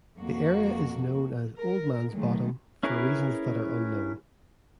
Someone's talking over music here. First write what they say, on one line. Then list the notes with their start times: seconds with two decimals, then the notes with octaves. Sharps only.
The area is known as "old man's" "bottom" for reasons that are unknown.
0.18 F2 A#3 F#4
1.59 A#4
2.12 D#3 F#3 G#3 A3
2.83 C#4 E4 G#4 A#4 B4